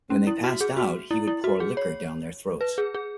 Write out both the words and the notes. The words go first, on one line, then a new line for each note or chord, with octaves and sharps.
When they passed out, he would pour liquor down their throats.
C#4
E4
F#4
G#4
F#4
E4
E4
F#4
G#4
C#5
B4
G#4
G#4